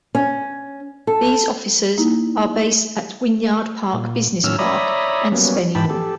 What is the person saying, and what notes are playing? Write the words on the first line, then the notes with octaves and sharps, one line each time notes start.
These officers are based at Wynyard Park Business Park and Spennymoor.
C#4
A4
A#3 D#4 E4
A#2
A2 D#3 F#3 C#4 E6 F6
C#5 D5 E5 A#5 B5 D#6
F#3 G3 A#3 B3 C#4
G#2 E3 G5 A5 B5
G4 A4